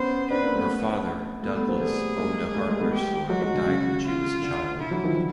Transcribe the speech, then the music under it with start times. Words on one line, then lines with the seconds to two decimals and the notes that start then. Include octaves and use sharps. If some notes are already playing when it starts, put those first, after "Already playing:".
Her father, Douglas, owned a hardware store and died when she was a child.
Already playing: B3 C#4 C5
0.31 C4 D4 B4
0.43 A#3 C4
0.55 A3 B3
1.42 A3 B3
1.55 A3 B3
1.67 A#3 C4
1.80 G3 A3 G#4
2.18 G#3 A#3
2.54 G3 A3
2.67 G#3 A#3
2.79 A3 B3
2.92 G4
3.29 F#3 G#3 F#4
3.42 F#3 G#3
3.54 D3
3.67 C#3
4.04 F4
4.42 D3
4.79 D3 E4
4.91 E3 F#3
5.04 D#3 F3
5.16 D3 E3